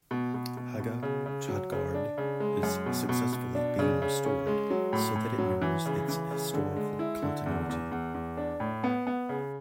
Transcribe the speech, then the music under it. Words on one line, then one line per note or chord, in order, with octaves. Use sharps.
Haga Tradgard is successively being restored so that it mirrors its historical continuity.
B2
B2
B2
B2
C#3
C#3
F#3
C#3
D4
C#3
G#3
F#2
B2
B2
B2
D4
C#3
C#3
C#4
G#3
F#3
A2
A2
F#3
E3
C#3
E3
C#3
D3
G#3
E4
D3
E2
E2
E2
E2
D4
A2
B3
B3
C#3